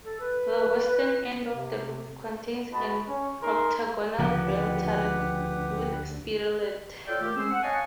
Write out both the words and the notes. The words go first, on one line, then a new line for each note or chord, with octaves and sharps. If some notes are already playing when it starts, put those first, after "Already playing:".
The western end of the roof contains an octagonal bell turret with spirelet.
A4
B4
C3
G#3 F#4 B4 D#5 A5 B5
C#4
D#4 G#4 A#4 C6
D2 C#3 F3 G4 B4 F#5
F4 A4 C#5 D5 F5 G5
D#3 A3 G4
G#3 C4 C#4 G#4 C5 E6
F#5
C#5 D#5 F5 G#5 A5 C#6